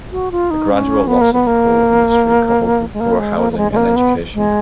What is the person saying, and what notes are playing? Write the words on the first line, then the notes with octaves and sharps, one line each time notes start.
The gradual loss of the coal industry coupled with poor housing and education.
F#4
F4
D#4
C#4
B3
A#3
B3
A#3
G#3
A#3
G#3
A#3
A#3
G#3
G#3
A#3
B3
G#3